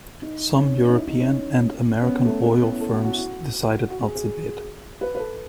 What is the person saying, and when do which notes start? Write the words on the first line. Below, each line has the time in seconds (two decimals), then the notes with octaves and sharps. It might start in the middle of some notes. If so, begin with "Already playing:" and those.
Some European and American oil firms decided not to bid.
0.22 D#4
0.59 C#4
0.87 D#4
0.96 E4
1.07 D#4
1.20 C#4
2.02 C#4
2.07 B3
2.25 A3
2.43 A3
2.52 B3
2.61 C#4
2.71 E4
2.80 A4
2.93 F#4
3.05 F#4
3.11 E4
3.17 F#4
3.90 F#4
4.03 G#4
4.15 G#4
5.01 B4
5.15 B4
5.19 A4